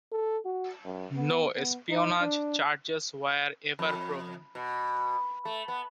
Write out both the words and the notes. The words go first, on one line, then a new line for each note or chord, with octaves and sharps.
No espionage charges were ever proven.
A4
F#4
F#2
B3
B3
D#4
D4
F2
B2
A3
B3